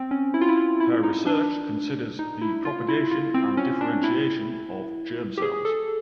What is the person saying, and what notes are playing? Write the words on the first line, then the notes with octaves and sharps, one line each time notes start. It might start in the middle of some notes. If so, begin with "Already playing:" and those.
Her research considers the propagation and differentiation of germ cells.
Already playing: C4
C#4
E4
F4
E4
F4
E4
D#4
D4
D#4
E4
F4
E4
F4
C4
C#4
D4
E4
G4
G#4
A4